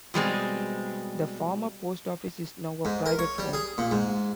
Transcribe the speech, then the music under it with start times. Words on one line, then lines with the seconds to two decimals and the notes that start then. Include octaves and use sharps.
The former Post Office is now a private home.
0.14 B2 G3 G#3 C4
2.85 G#2
3.06 A#4
3.19 C#5
3.38 G3
3.53 G#4
3.78 A#2
3.91 G#2